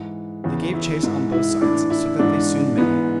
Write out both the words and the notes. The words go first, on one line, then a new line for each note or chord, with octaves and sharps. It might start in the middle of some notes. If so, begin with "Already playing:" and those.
They gave chase on both sides, so that they soon met.
Already playing: G#2 E3
E2 C#3 E3
E4
G#2 E3
E4
A2 E3 D4
E4
G#2 E3 D4
G#2 E3 B3